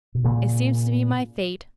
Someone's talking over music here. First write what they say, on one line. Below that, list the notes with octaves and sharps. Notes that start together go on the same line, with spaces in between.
It seems to be my fate.
B2
A#2 C#3